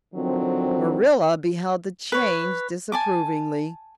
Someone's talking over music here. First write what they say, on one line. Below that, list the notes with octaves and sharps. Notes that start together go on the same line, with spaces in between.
Marilla beheld the change disapprovingly.
D3 D#3 F3 F#3 C4
B4 C#5
G#5 A5 D6